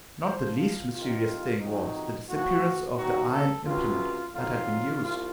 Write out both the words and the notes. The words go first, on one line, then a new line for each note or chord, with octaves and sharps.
Not the least mysterious thing was the disappearance of the iron implement that had been used.
A2 F3 C5
F4
C2 C3 D#3 F4
F2 C3 D#3 F#3 D#4
A2 F3 F#4
D#2 D#3 F#3 F#4
A4
C#2 C3 F#3 F4
F2 D#3 F#3 F4
C2 F4